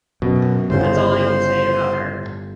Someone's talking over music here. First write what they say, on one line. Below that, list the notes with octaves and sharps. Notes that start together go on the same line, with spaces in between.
That's all I can say about her.
F#2 B2
G1 A2 C#3 C5